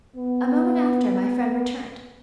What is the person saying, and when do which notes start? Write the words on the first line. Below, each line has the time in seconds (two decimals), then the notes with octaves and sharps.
A moment after my friend returned.
0.16 B3